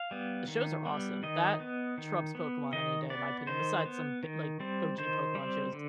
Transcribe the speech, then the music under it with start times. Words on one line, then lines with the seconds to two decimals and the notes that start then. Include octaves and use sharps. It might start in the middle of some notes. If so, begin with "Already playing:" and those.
The shows are awesome. That trumps Pokemon any day, in my opinion, besides some bi like, OG Pokemon shows.
Already playing: F5
0.11 G3 B3
0.48 D#3
0.85 G3 B3
1.23 D#3 D#5
1.60 B3
1.98 D#3
2.35 B3
2.73 D#3 D#5
3.10 B3 D5
3.47 D#3 C5
3.85 B3
4.23 D#3
4.60 G3 C4
4.98 D#3 C5
5.35 G3 C4
5.73 D3